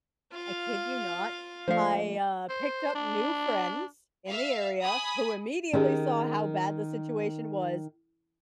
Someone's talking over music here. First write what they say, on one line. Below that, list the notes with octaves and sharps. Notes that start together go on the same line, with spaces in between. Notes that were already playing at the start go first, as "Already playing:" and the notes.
I kid you not, I, uh, picked up new friends in the area who immediately saw how bad the situation was,
F4 F5
F3 A3 D4 C5 F5
C5
D4
E5 F5
G#5 B5 D#6
D#3 C#4 G4 G#4